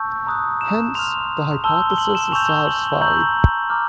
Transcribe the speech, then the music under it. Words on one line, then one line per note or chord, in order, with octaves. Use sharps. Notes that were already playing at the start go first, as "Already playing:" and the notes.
Hence, the hypothesis is satisfied.
Already playing: A5 C#6 E6 G6
A#5 D#6 F#6
E7
C6 F6 F7
A5 C6 E6 G6 G7
G7
F#7
E7
G#5 C#6 E6 G6 F7
G7
F#7
A#5 C#6 E6 G6 F#7
A#5 D6 F6